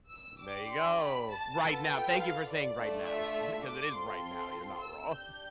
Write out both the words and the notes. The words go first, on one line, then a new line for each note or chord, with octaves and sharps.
There you go. Right now. Thank you for saying, "Right now." Th 'cause it is right now, you're not wrong.
E6
D4 G4 D6
C6
B5
A5
B3 F4 A4
G5
F5
D5
A3 D4 F4
E5
D6
C4 F4 A4 C6
E6
D4 G4 G6